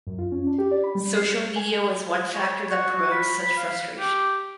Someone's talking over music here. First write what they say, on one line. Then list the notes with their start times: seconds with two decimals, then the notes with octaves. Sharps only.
Social Media was one factor that promoted such frustration.
0.07 F#2
0.18 F4
0.32 C#4
0.47 D4
0.58 G4
0.71 D5
0.84 B5
0.95 G3
1.15 C7
1.31 G6
1.56 G#5
2.35 C#5
2.69 F#4
2.96 F#4
3.12 B5
3.43 B5
3.57 F5
3.99 G4